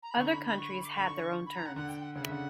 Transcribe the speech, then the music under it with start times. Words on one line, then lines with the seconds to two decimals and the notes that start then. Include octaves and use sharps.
Other countries had their own terms.
0.03 A#5
0.11 B5
0.17 D3 C#6
0.25 A#5
0.31 B5
0.44 B5
0.58 C#6
0.70 B5
0.84 D6
0.91 C#6
0.97 D3 B5
1.06 C#6
1.46 B5
1.56 A#5
1.66 F#5
1.76 D3 F#5
1.89 G5
2.02 F#5
2.15 C#3 F#5
2.23 E5
2.29 D3 F#5